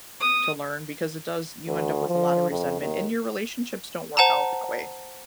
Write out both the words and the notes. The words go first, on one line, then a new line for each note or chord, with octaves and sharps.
to learn because it does you end up with a lotta resentment, and your relationships don't work out that way.
D#6
D2
F3
F2
D#2
C5 F#5 A5 A#5